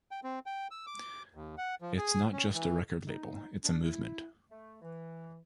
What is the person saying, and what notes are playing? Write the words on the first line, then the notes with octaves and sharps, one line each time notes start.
It's not just a record label, it's a movement.
G5
C4
G5
E6
D6
D#2
F#5
F3
G#4
C#4
E3
D#4
D4
E4
A3
E3